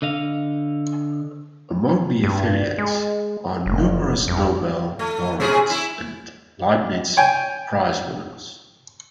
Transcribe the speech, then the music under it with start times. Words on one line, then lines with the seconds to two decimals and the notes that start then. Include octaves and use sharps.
Among the affiliates are numerous Nobel laureates and Leibniz Prize winners.
0.02 D3 D#5 F5
2.24 G2
2.78 G#3
3.66 F#1
4.28 F2
4.99 A3
5.40 B2 C#4 G#4
5.70 E4
7.17 C#5 G5 G#5